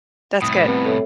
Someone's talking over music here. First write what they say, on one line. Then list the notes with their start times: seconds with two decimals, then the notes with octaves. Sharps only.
That's good.
0.42 C2 A2 D#6
0.67 C3 B3
0.85 A4 C#5 E5